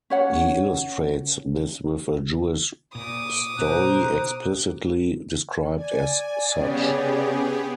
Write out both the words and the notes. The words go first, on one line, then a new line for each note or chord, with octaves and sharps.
He illustrates this with a Jewish story, explicitly described as such.
C#4 C#5 F#5
A#2 D6 D#6
B2 C5 A#5 F#6
D5 G#5
C#3 B3 C#4 G4 G#4